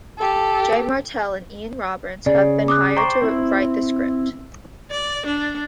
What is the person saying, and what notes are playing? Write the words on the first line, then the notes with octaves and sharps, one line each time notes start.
Jay Martel and Ian Roberts have been hired to write the script.
G4 A4
C#3 D5
D6 D#6 F#6
C5 D5 G5 A#5 C#6
C4 E4
D5
D4